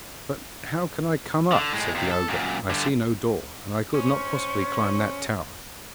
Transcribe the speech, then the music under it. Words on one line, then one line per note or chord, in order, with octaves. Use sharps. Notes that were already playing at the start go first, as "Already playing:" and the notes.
'But how can I come up?' said the ogre, 'I see no door, and I could not possibly climb that tower.'
D3
A2 G#3
F2 C3
A4
F#2 A#2
G2 D3
C#4 C5 C#6